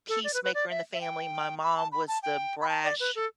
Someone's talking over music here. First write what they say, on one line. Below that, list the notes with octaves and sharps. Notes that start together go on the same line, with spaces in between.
peacemaker in the family. My mom was the brash
A4
D5
B4
B4
D5
E5
E5
G5
B5
A5
B5
A5
G5
B5
A5
D5
B4
A4